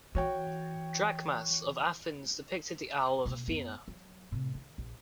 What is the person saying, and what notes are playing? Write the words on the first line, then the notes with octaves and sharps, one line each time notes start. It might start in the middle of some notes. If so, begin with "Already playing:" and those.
Drachmas of Athens depicted the owl of Athena.
E3 F#4 C#5 G5
B2 A#3
F#2 B3
F#3
A2 C3
D#3
A#1